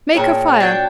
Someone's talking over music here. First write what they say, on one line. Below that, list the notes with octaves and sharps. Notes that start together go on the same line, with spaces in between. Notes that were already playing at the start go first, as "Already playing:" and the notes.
Make a fire.
A#2 G#4 C#5 G5 A5
D4 F#4 G5 G#6